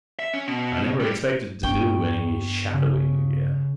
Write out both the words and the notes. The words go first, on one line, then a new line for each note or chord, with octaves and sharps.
I never expected to do any shadowing again.
E5
C#4
B2
G3
G2 B3 D4 G5 C#6
C#3